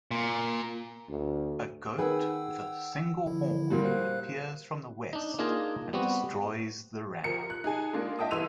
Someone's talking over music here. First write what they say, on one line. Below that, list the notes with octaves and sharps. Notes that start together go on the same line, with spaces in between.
A goat with a single horn appears from the west and destroys the ram.
A#2
D2
D#3 G#4 B4 F#5 G5 E6
D3 F3 E4
A#2 G3 F#4
C5 F5 F#6
D4 D#4
A#3 D4 D#4 F4 G#4 D#5
G3 B3 C4 F#4
F3 A#4 C#7
F#6
D#4 G#4 G#5 A5
G#3 A#3 D4 F4
D#5 E5 G5 A5 D#6
G1 E3 C6 E6 D#7 F7